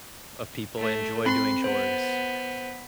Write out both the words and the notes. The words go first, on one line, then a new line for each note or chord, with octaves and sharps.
of people enjoy doing chores.
A3
C4 B5 C6
B3 C5